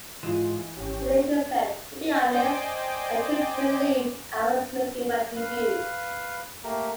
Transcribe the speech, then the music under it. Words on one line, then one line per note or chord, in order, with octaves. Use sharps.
He later said, To be honest, I couldn't believe I was making my debut.
G#2 E3 F4 D#5 C6
G#1 C#4 G4
C5 D5 D#5 G5 G#5 D6
B4 F5
A3 A#3 G4 A#4